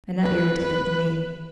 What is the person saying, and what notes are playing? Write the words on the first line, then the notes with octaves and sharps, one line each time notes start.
And that irritated Levin.
B4